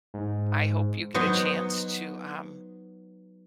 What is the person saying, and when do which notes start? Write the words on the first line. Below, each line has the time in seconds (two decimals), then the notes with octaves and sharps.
I hope you get a chance to um
0.14 G#2
1.14 F#3 B3 D#4 C5 D#5